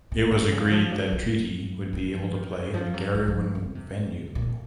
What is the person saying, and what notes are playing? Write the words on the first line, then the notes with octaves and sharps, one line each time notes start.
It was agreed that Treaty would be able to play in the Garryowen venue.
C3
C3
C#3
F3
F#3
F#3
F#3
F3
D#3
C#3
F3
F#3
F#3
F3
C#3
C3
A#2